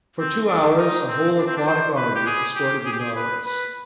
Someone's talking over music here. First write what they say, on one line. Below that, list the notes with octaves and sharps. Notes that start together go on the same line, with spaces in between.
For two hours a whole aquatic army escorted the Nautilus.
C4
D4
D#4
C4
D4
C4
D4
C5
B4
G4
G#4
G4
G#4
G4
G#4
B4
B4